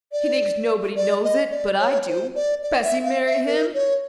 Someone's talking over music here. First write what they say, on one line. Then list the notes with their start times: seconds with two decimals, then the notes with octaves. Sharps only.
He thinks nobody knows it, but I do. Bessy marry him?
0.12 D5
0.96 D5
1.24 D#5
1.51 D5
1.79 C#5
2.08 C5
2.35 D5
2.62 D5
2.83 E5
3.04 F5
3.26 E5
3.47 A#4
3.74 C#5